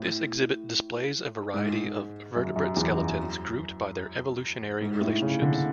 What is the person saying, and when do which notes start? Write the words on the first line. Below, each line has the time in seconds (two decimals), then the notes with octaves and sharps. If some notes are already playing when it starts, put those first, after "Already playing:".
This exhibit displays a variety of vertebrate skeletons grouped by their evolutionary relationships.
Already playing: A2
1.54 G#2
2.36 F#2
2.56 F#2
2.76 E2
2.97 F#2
4.81 G#2
5.01 A2
5.21 C#3
5.42 D3